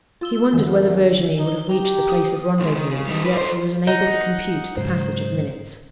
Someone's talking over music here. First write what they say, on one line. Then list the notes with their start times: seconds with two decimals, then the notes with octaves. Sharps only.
He wondered whether Virginie would have reached the place of rendezvous, and yet he was unable to compute the passage of minutes.
0.21 F4 E6 G7
0.53 F#2 D3 E3
1.38 D#4 G7
1.69 G4 A#5
2.09 D#6
2.60 B1 G#3
2.76 D#3
2.91 C#3
3.07 G3 D#4
3.26 G3 B4
3.37 A4 C5
3.87 D#4 F#5
4.77 G#2 C#3 F#3 C5